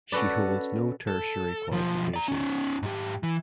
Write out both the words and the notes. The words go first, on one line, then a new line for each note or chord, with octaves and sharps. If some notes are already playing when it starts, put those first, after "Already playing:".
She holds no tertiary qualifications.
C#4 F#4 A4 B4 D5
A4
B1 F3
D5 A#5
C#4 D#4
G#2 G4
E3